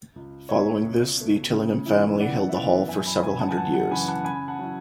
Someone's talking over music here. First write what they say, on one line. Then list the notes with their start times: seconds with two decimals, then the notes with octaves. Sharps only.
Following this the Tillingham family held the hall for several hundred years.
0.16 C#2
0.49 B2 A3 C#5 E5
0.83 C#2
1.18 B2 A3
1.52 C#3
1.86 E3 B3 E4
2.20 C#3 D5 F#5
2.49 E5
2.54 E3 B3 E4 D5 F#5
2.88 F#2 E5 G#5
3.06 G#5 B5
3.22 C#3 E3 G#5 B5
3.40 F#5 A5
3.49 G#5
3.57 F#2 F#5 A5
3.74 F#5 A5
3.91 C#3 E3 G#5 B5
4.08 F#5 A5
4.25 C#3 G#5 B5
4.48 F#5 A5
4.59 F#3 C#4 E4